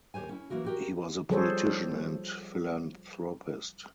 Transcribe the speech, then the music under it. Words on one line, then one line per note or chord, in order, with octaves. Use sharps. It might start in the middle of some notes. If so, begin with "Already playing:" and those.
He was a politician and philanthropist.
D#2 G4 C5 C#5 G#5
C#4 E4
E3 A#3 E4 F#4 A#4
F#4 G4 A#4
F3 G3 G#4 A4 C5 C#5